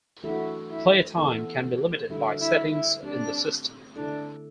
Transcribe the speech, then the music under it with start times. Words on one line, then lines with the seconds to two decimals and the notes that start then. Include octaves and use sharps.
Play time can be limited by settings in the system.
0.23 E3 A3 D4 E4 F#4 A4
0.70 E4
1.17 E3 B3 E4 A4
2.09 D3 G3 D4 E4 F#4 A4
2.41 E4
2.71 E4
3.03 A3 C4 D4 G4
3.96 D3 A3 D4 E4 A4